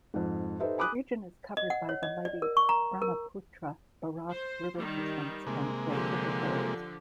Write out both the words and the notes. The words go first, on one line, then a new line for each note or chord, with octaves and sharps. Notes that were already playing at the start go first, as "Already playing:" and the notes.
The region is covered by the mighty Brahmaputra-Barak river systems and their tributaries.
F2 G#2
D#4 G4 A4 B4 C5 E5
G#5 B5 D6 D#6 F#6
D#5
F#5
C#5
D#5
D5
A#4
C#6
A#5
A#4
C5
D#3 G3
C3 G#3 A#3
D3 F3 G4